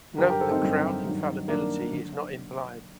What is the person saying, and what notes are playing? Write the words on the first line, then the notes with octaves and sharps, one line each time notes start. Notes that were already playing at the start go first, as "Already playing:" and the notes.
Note that Crowd Infallibility is not implied.
G2 D3 F#3 G4 A#4
G4 A#4
A4 C5
C4 D#4
G2 D3 F#3
G2 D#3 F#3
G2 D#3 F#3 A#3 D4
D3 F#3